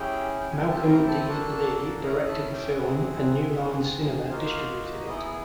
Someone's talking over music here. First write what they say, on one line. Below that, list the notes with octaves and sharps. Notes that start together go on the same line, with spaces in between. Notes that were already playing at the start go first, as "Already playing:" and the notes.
Malcolm D. Lee directed the film and New Line Cinema distributed it.
Already playing: C#4 E4 G4 G#4 G5
G5
C4 E4 G4 G#4 G#5
A4 A5
A#4 A#5
A4 A5
A#3 D4 F#4 A4 A5
C#4 E4 G#4 A#4 A#5
A4 A5
G4 G5
C4 E4 F#4 G#4 F#5
C4 F4 G#4
A#3 D#4 F4 F#4 F5
B3 D#4 E4 G#4 D#5